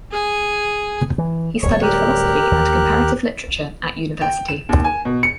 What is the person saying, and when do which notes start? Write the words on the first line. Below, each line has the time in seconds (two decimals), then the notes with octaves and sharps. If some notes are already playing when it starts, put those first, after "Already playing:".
He studied philosophy and comparative literature at university.
0.11 G#4 G#5
1.18 E3
1.62 D1 G3 C#5 C#6
1.82 G4 A#4 F#6
2.51 D#2
4.21 G5
4.48 E7
4.69 D#2
4.84 G#5
5.05 B2
5.23 C#7